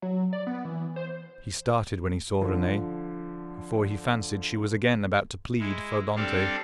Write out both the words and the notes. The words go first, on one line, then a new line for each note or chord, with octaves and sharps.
He started when he saw Renee, for he fancied she was again about to plead for Dantes.
F#3
D5
B3
E3
C5
D3 F3
G#3 E4
G3 C4 D4 A4 F5